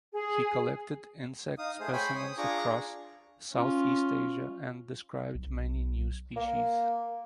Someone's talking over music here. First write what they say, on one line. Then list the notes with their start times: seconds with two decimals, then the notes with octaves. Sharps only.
He collected insect specimens across Southeast Asia and described many new species.
0.12 G#4
1.58 D#4 F5 D#6
1.80 A3 G#4 C5
1.93 C5 C#5 G5 G#5 B5
2.15 D#6
2.38 D4 F4 G#4 A#5 C#6 D6
3.53 C#4 F4
5.35 B1
6.36 A#3